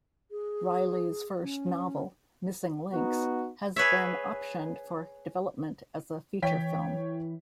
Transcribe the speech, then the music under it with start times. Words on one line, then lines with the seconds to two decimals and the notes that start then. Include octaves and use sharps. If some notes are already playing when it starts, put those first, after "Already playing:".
Reilly's first novel, "Missing Links", has been optioned for development as a feature film.
0.31 G#4
1.42 C#4
2.92 B3 D#4 F#4
3.76 G#4 B4 C#5 E5
6.42 E3 C#5 G5 B6